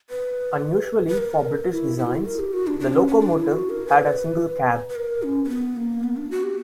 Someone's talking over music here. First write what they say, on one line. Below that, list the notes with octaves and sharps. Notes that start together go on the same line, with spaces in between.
Unusually for British designs, the locomotive had a single cab.
B4
B4
A#4
E4
E4
F#4
E4
A#4
G4
F#4
D4
D4
C#4
C#4
D4
E4
F#4
A#4
B4
B4
A#4
C#4
C#4
B3
A#3
B3
D4
F#4
G4